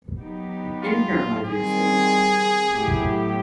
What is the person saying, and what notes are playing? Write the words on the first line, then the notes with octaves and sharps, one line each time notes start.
In here, my dear sir.
F#3 B3 D#4 G4
F4
D#3 G3 C4 G#4
A2 F#3 B3 E4 G4